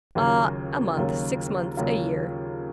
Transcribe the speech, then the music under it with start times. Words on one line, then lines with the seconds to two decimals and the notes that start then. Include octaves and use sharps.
"Ah, a month--six months--a year."
0.15 D#2 C#3 F#3 A#3 F4
0.97 D#2 C#3 F#3 A#3 F4
1.77 D#2 C#3 F#3 A#3 F4